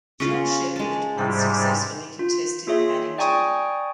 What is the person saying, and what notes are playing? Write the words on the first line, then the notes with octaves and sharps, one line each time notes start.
John Shepherd unsuccessfully contested Paddington.
C#3 F4
G#3 A5
G#2 C3 G3
F4
A#3 F4 G#4 C#5 E5 C6
D5 G5 G#5 A#5 C#6 D#6